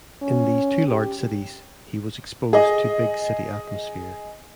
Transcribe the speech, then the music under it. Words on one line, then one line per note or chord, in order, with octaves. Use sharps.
In these two large cities, he was exposed to big city atmosphere.
C#4
G4
G#4 D#5